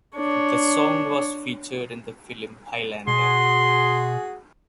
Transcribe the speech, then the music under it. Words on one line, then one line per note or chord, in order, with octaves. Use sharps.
The song was featured in the film "Highlander".
D4 C#5
B2 F#4 G#4 C6